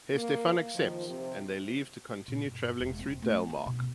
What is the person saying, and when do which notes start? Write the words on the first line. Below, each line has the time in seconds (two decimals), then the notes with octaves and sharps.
Hestefan accepts, and they leave to continue travelling through Dalemark.
0.12 A#3
0.74 D#3 F3
1.08 C3
2.28 A#2
2.44 G2
2.80 E1
2.99 C4
3.22 A3
3.50 F4
3.66 B2